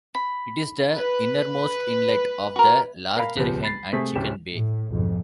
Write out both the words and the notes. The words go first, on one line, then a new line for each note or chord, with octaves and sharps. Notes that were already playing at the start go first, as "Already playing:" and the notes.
It is the innermost inlet of the larger Hen and Chicken Bay.
B5
B4
F#4 A#4
A#4 F5 B5
D#1 C#2 F3 G3 B3
B5 A6 C7
C3 A3 G#4 B6
D1 C#3 G4 E7
A2
B1 F2 G#2